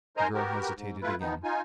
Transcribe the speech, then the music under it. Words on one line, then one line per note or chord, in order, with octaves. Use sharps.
The girl hesitated again.
D#4 A#4 C5 D#5 G#5 A#5
B3 F#4 G4 A#4
G#2
A3 E4 F4 B4
D#3 F3 B3 D#4
D#4 F4 G#5